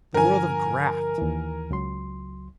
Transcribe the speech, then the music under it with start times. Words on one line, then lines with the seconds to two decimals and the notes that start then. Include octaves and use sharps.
The world of graft!
0.14 G2 D3 F3 A#4 G#5
1.18 D#2 E3
1.71 C#2 F#3 C6